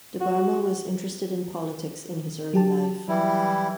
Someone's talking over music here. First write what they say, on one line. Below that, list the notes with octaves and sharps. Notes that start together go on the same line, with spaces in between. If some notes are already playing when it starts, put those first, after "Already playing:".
Debbarma was interested in politics in his early life.
F#4
F#3 G4 A5
E3 F#3 G3 E4